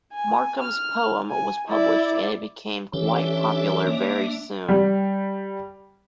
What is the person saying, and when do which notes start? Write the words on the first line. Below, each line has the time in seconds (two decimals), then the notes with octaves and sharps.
Markham's poem was published, and it became quite popular very soon.
0.14 G#5
0.61 F6
1.30 G#5
1.68 E4 D5
2.94 E3 C#4 D4 G4 A4 E5 D6
3.87 A#3
4.69 G3